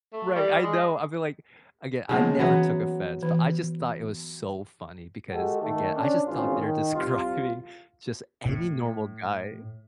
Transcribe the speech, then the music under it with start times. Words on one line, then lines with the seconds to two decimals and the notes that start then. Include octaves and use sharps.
Right, I know, I feel like again, I never took offense, but I just thought it was so funny because, again, I just thought they're describing just any normal guy.
0.13 A3
0.35 G3
0.64 G#3
2.09 C#3 F3 G#3 A#3 B3 C#4
2.39 E3 F#3 B3 F#4 E5
3.23 E3
5.31 G#3 F#4 G4 A4
5.62 D#3 A3
5.94 C#4 D4
6.27 G#1 E2 C#3 C#4 F4
6.58 D#3
6.94 C2 F4
8.46 A2